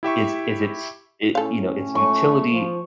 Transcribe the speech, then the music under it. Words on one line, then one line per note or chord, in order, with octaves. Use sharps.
Is is its it you know, its utility
E4 G4 E5 C#6
A2 C#4 A4 F5
A3 C#6
F3